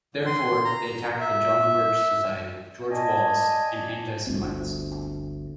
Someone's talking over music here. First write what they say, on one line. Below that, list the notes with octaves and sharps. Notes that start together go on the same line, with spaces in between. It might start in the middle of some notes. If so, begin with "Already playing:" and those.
Therefore, they attacked the John Birch Society, George Wallace, and anti-Semites.
C6
A#5
E5
D5 D#5 G#5 A5
G1 D2 C4